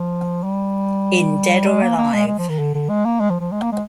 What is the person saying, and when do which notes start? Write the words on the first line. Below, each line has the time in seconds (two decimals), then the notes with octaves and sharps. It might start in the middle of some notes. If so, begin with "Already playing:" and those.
In Dead or Alive!
Already playing: F3
0.44 G3
1.67 G#3
1.82 A#3
1.97 A#3
2.13 G#3
2.28 G#3
2.39 F3
2.49 D#3
2.59 D3
2.75 D3
2.89 G#3
3.06 A#3
3.21 G#3
3.30 F3
3.40 F3
3.52 G#3
3.62 A#3
3.72 G#3